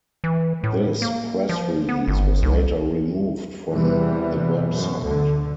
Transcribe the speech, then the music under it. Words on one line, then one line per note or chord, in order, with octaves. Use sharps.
This press release was later removed from the website.
E3
A2
A#3
F3
B3
G1
C2
E2 C3 E3 G3 B3
F#2 B2
D2 D3